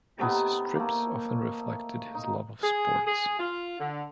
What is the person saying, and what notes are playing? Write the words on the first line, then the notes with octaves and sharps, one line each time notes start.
His strips often reflected his love of sports.
C3 A3 B3 D#4
A3 A#3
D#4
G#4
G#4
F4
D3